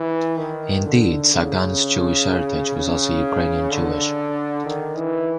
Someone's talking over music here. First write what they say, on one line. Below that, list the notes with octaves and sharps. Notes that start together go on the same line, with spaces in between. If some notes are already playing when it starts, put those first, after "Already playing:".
Indeed, Sagan's Jewish heritage was also Ukrainian Jewish.
Already playing: E3
D#3
D3
C#3
C#3
D3
D#3
E3